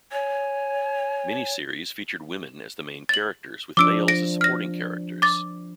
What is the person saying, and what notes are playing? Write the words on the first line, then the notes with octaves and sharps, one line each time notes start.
Many series featured women as the main characters with males as supporting characters.
C#5 G#5
A6 F#7
F3 D4 D6 E6 D7
A#6 D7
F6 A#6
D6 A6